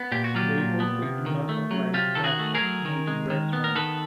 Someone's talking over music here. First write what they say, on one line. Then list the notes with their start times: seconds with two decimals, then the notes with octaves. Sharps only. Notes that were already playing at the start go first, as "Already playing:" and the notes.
They also do not apply to pastas made in restaurants.
Already playing: B3
0.12 A#2 G4
0.24 F#4
0.35 F#3 F4 G4
0.58 A#2
0.80 B3
1.02 C3
1.26 D#3
1.49 A3
1.71 F#3
1.94 C3 F4 G4
2.15 D#3 A4
2.24 F#4 G#4
2.39 A3
2.55 G#4 A#4
2.61 F#3
2.85 D#3
3.07 G#3
3.30 D#3
3.53 B3
3.64 A#4
3.75 D#3 A4 B4